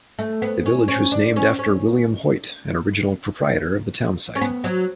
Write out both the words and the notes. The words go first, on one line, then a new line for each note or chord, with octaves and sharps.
The village was named after William Hoyt, an original proprietor of the town site.
A3
B3
C#4
C#4
D4
C#4
C#4
C#4
B3
F#3